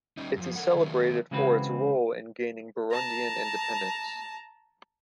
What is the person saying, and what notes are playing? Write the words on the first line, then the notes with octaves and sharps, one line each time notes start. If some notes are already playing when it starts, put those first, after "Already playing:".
It is celebrated for its role in gaining Burundian independence.
G3 G#3 C#4 D#4
F#2 F3
A4 A#4 F#5
D#3 F#3 A3
C#3 E3 G#3 C4 F#4 B4
A5 A#5